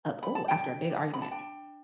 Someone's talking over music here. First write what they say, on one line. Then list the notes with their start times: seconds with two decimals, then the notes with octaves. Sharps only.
a b oh, after a big argument?
0.23 B5
0.35 A5
0.48 D4 G5
0.90 D4
1.14 B5
1.22 A5
1.31 D4 G5